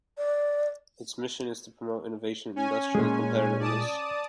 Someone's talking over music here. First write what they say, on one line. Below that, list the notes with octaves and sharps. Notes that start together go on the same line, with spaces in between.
Its mission is to promote innovation and industrial competitiveness.
D5
C#4 G#5
A#2 G#3
D5 A5 D#6